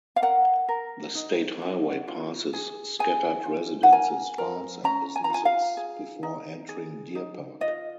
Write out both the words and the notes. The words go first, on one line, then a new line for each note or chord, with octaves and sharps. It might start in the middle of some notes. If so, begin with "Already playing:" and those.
The state highway passes scattered residences, farms, and businesses before entering Deer Park.
F5
A#4 F#5
A#4
D#4
F#4
F4
G#4
G#4 G#5
F4
F#5
A#4 G#5
A#4
C#4 A#5
G#5
A#5
F4 G#5
F5
G#4
D#4
G#4
D#4
F4 D#5